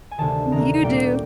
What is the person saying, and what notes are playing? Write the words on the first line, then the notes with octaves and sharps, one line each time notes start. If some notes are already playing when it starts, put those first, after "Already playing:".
You do.
G#5
D2 C3 D#3 A5
D2 C3 D#3 A#5
A#2 G3 A#3 G5